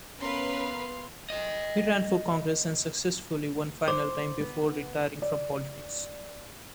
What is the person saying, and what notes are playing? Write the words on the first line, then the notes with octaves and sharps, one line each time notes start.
He ran for Congress unsuccessfully one final time before retiring from politics.
B3 C#4 A#4 B4 F5 C6
A4 D#5
C5 D6
B3
D5